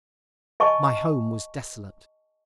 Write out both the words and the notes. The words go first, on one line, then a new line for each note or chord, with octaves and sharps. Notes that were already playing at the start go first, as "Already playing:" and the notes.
My home was desolate.
D#5 G#5 A5 C#6